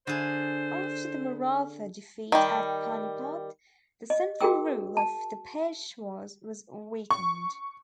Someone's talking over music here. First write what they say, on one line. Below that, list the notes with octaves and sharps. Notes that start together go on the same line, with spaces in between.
After the Maratha defeat at Panipat, the central rule of the Peshwas was weakened.
D3 G#4 C5
D#3 G3
D#5
F#4 G#4 A#4 G5 E6
A5
C#6